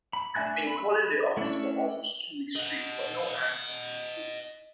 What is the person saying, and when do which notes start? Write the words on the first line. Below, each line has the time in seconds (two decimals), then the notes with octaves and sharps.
I've been calling the office for almost two weeks straight, but no answer.
0.13 B5
0.35 A3 D4 E5 G#5 F#6
0.67 B5
1.37 A3 C#4 D4 E4
2.56 D#5 F#5